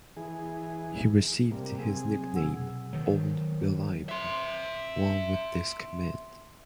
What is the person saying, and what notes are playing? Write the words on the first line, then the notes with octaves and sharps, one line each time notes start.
He received his nickname, "Old Reliable", while with this command.
E3 G#4
C3 G3 A#3
C3 F#3 C4 G#4
B2 F#5 E6
D#3 F#3
E5 C6